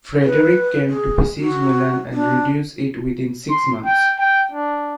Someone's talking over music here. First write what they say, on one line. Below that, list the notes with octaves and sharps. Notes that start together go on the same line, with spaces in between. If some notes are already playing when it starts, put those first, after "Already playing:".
Frederick came to besiege Milan and reduced it within six months.
B4
G#4
F#4
D4
C6
G5
G5
D4